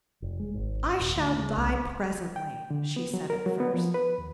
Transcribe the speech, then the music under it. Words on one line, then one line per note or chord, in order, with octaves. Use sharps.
"I shall die presently!" she said at first.
F1
G#3
G#1
D#1
D2
C#3
C2
G5
D3
B3
F#3
A#4
F#3
B3
F3
B4
D#2